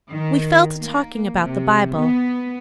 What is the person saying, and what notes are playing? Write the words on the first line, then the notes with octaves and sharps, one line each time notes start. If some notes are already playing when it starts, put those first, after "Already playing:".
We fell to talking about the Bible.
D#3
A#3
C3
B3